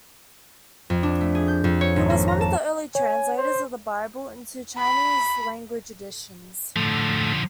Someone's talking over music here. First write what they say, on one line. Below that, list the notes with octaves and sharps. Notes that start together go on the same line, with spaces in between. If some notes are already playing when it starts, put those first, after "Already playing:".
He was one of the early translators of the Bible into Chinese language editions.
F2
D4
A3
G#4
G6
F2
C#5
G#1
A#3
A#5
A5
C#5 G#5
C5
B5
A2 D3 F3 A3